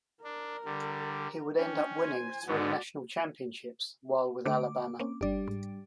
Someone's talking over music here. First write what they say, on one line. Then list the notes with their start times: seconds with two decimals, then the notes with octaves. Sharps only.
He would end up winning three National Championships while with Alabama.
0.24 D4 A#4
0.65 D3 G3
1.57 C#4 D4 G5
1.98 C5 G#5
2.47 G#2 D3 B3 F#4 D5
4.46 D3 A3 D6
4.99 A#3 C4 C#4
5.21 G1 G3 D4 G4 D5
5.48 G#2